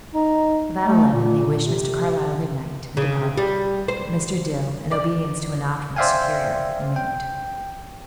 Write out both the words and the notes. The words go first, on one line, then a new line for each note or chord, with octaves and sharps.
About eleven they wished Mr. Carlyle good-night, and departed, but Mr. Dill, in obedience to a nod from his superior, remained.
D#4
A3
A#2
C3
C#3
G3
C5
D5
C5 D5 E5 F5 G5 G#5
G5